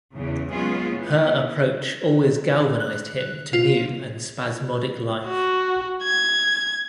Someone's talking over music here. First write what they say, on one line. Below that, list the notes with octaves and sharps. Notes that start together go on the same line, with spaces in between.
Her approach always galvanized him to new and spasmodic life.
E2 C#3 E3
F#3 G#3 B3 C#4 F4 G#4
E3 B3
F#6
F4
F#4
G#6